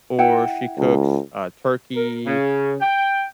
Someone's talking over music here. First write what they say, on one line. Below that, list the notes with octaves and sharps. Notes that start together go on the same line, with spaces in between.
or she cooks, uh, turkey,
E4 F#5 G5
C#2
A#4
C#3
G5